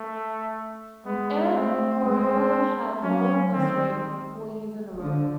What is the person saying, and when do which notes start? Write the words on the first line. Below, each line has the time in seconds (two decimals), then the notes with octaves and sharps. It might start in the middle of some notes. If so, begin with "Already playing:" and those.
Air Koryo had held this rating for four years in a row.
Already playing: A3
1.05 G#3 B3
1.55 A3 C4
2.04 G#3 C4
3.02 F#3 C#4
3.51 D#3 C4
5.00 D3